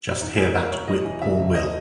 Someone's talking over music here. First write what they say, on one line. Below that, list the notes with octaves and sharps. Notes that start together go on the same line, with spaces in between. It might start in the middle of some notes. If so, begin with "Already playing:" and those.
Just hear that whip-poor-will.
E2 D#4
E2 G#4
E2 A#4
E1 C#5
E1 D#5
E3
C#3 E5
E1
D#5